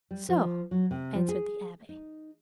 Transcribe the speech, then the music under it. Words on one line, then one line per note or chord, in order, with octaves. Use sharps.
"So," answered the abbe.
G3
F3
F#3
C3
F3
G#4
D#4